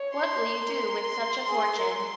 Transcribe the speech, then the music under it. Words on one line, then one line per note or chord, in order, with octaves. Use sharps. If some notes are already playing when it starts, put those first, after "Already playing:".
What will you do with such a fortune?
Already playing: C#5
C6
A#4
G#4
A#4